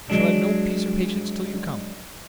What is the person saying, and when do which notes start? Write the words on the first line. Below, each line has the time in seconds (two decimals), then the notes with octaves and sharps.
I shall have no peace or patience till you come.
0.10 F#3 G#3 D4